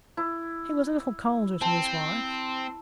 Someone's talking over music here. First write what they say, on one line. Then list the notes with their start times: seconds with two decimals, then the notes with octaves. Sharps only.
He was a little colder to his wife.
0.17 E4
1.61 C4 A5